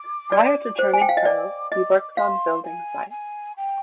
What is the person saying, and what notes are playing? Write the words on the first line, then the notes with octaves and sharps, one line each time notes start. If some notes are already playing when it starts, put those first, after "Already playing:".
Prior to turning pro he worked on building sites.
Already playing: D6
D5
C5
G#5
G5
F5
D#5
D5 D6
D#5 D6
F5 C6
G#5
G#5
G5